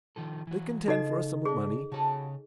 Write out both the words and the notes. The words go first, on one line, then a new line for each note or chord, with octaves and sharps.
They contend for a sum of money.
D#3 F3 A4
E3 F#4
C#3 D#4 F4 A4 C5 D#5
C3 D4 G#4
C#3 F#4 G4 A4 C#5